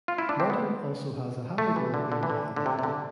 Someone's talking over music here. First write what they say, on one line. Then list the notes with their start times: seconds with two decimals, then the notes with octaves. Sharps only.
Martin also has a happy-go-lucky way about him.
0.08 F4
0.18 E4
0.29 D4
0.40 C4
0.50 B3
1.58 A3
1.76 E3
1.94 D3
2.12 D3
2.23 E3
2.30 D3
2.56 D3
2.66 C3
2.79 C3
2.83 D3